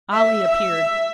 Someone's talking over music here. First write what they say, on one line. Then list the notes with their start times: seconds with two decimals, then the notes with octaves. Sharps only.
Ali appeared.
0.13 E5
0.44 E5